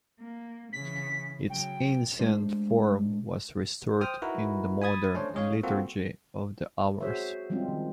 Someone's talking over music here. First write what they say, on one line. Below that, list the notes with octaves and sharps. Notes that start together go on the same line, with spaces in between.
Its ancient form was restored in the modern Liturgy of the Hours.
A#3
C#3 E3 B6
C#3 F#3 G5
G#3 A3 D4 C5
C5 G5 D#6 F6
D#4 E4 F#4 A#4 B4
G#5 B5 D#6 G#6 A6
A3 C#4 D4 C5 C#5
G#3 C#4 G#4 C#5 F5
A#3 C4 F4 F#4 A4
F#4 G#4 C5 C#5 E5
F3 G3 G#3 C4 C#4 F4
D#3